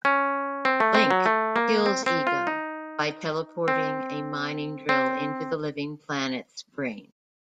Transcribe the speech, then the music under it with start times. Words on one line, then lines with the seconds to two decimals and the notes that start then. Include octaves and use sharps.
Blink kills Ego by teleporting a mining drill into the Living Planet's brain.
0.05 C#4
0.65 C4
0.80 A3
0.95 C4
1.10 F#3
1.26 A3
1.56 A#3
1.86 C4
2.06 C4
2.27 F4
2.47 D#4
3.68 C4
4.89 C4